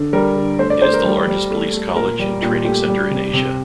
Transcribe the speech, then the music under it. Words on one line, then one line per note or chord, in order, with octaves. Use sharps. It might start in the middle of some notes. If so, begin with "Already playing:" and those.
It is the largest police college and training center in Asia.
Already playing: D3
G3 A#4
D3
A3 C5
D5
A3 C5
A#4
G3
G3
A3
A3
A#2 A#4
G3
A#2 G4
A3 G4
G3
C3
C3